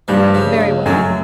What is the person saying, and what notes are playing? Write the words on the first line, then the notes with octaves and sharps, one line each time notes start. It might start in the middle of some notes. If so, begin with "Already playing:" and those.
'Very well.
G2 F3 G3
C#3
C#2
F#2 F#3 A3